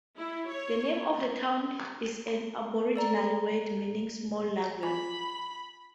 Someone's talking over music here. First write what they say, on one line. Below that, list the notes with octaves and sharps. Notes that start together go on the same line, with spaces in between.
The name of the town is an Aboriginal word meaning small lagoon.
E4
C#5
A4 D5 A#5
F4 G#5 B5